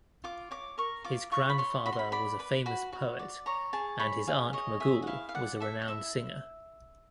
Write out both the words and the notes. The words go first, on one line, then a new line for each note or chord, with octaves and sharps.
His grandfather was a famous poet, and his aunt Magool was a renowned singer.
F4 D6
C#5 D6
A#4 C#6
F4 D6
F4 C#6
B5
C#5 C6
F#4 B5
C6
B5
D5 B5
B4 B5
F#4 B5
F#4
D5
C#5 A#5
G#4 A5
C#5 B5
G#4 F5
C#5 D#5
G#4 E5
F#5
E4 F5
F5
D5 F#5
A4 E5
D#5
E4 E5